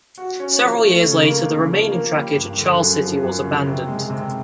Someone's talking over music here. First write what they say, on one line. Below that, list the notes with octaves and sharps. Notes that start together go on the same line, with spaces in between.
Several years later the remaining trackage at Charles City was abandoned.
F#4
C#4
F3
A3
C#3
A#3
C#3
F3
A#3
G3
G2
D3
F#2
F3
F#2
C#3
C3
G#3
C3